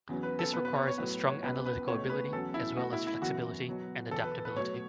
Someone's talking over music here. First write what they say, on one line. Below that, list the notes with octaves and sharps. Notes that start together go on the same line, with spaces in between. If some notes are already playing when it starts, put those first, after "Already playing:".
This requires a strong analytical ability, as well as flexibility and adaptability.
E2 C#3 F#3 B3
B4
A4
B2 B3 B4
B4
C#5
C#5
A2 F#3 B3 B4
C#5
C#2 B2 B3 B4
B4
C#2 B2 A3 C#5
B4
E2 C#3 F#3 A4
E4
B2 A3 F#4
E4
E4
F#2 E3 B3 F#4
B2 F#3 B3
E2 B2 B3 A4
B4
B4
B2 F#3 A3 C#5